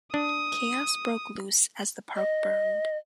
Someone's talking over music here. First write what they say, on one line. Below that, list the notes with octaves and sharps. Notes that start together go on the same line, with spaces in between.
Chaos broke loose as the park burned.
D4 D#6
D#5